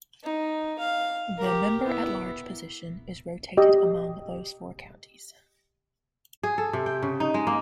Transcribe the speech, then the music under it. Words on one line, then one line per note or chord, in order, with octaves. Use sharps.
The member-at-large position is rotated among those four counties.
D#4
F5
G4 A#4
B3 E4
G4 D#5
G#4
A4
C3
G5
C#3
D#4
G#3
A#3